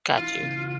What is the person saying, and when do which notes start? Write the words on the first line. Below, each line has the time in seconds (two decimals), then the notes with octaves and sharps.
Got you.
0.18 E3 F4
0.42 C#3